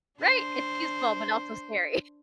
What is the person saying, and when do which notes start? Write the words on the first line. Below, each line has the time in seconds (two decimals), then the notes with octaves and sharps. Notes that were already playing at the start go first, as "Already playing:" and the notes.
Right, it's useful, but also scary.
0.19 D4 C5